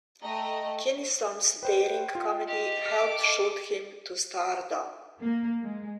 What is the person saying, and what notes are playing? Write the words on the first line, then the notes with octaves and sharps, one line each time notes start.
Kinison's daring comedy helped shoot him to stardom.
A3 D#5 G5 A#5
B4 C5 G5
F4
G4 D#5
A4 D6 F6
A#3
G#3